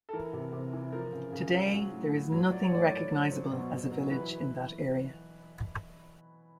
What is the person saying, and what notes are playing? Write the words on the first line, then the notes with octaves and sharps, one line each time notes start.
Today there is nothing recognizable as a village in that area.
A4
E3 A#4
C3
C3
E3
F3 A#4
C#3
C#3
F3
F#3
A2
A2
F#3
F3 D5
C#5
A2 D5
A2
F3
F#3 C5
B2
B2
F#3
E3 B4